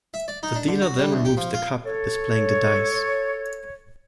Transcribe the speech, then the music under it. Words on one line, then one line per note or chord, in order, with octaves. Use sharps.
The dealer then removes the cup, displaying the dice.
E5
D5
D#4
D4
D3
F#4
G3
D2
G4
F3
F4
A4 C#5